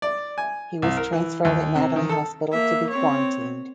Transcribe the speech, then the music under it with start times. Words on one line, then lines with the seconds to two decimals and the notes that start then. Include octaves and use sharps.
He was transferred at Nadi hospital to be quarantined.
0.02 D5
0.38 G#5
0.82 C2
0.97 A#4
1.13 E3
1.45 D#2
1.76 C3
1.96 D#3
2.09 A4
2.52 A#3 E5
2.90 C4 C#5